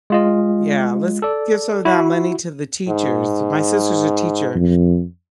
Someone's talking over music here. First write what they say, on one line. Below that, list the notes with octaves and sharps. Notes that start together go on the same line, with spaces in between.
Yeah, let's give some of that money to the teachers. My sister's a teacher,
G#3 F4 D#5
A4 D5
E4 F#4
G#2
F2